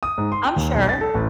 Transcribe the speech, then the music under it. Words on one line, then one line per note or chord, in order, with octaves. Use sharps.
I'm sure.
D#6
G#2
C6
G5
D#2
B1
A6
A4
A1